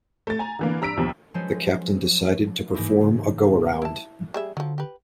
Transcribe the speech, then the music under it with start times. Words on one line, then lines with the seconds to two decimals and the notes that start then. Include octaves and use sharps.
The Captain decided to perform a go-around.
0.27 A3 A6
0.39 G#5 A#5
0.59 D3 E3 A#3
0.81 G2 A#5 E6 B6 D7
0.97 D#2 B2 F3
1.34 F3 F#3 G#3 C#4 B4 C5
2.74 G#2 E3 A#3 D#4 E4
3.01 C#3
3.82 E4 A5
4.34 G3 G#4 E5
4.57 D3 F3 F#3
4.78 G4 B4